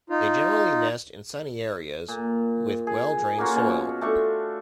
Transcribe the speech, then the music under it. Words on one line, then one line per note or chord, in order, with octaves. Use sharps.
They generally nest in sunny areas, with well drained soil.
D#4 F4
A#2
G#4
A#3 C#4 F4 F#4
B2 C#4
A3 D4 C#6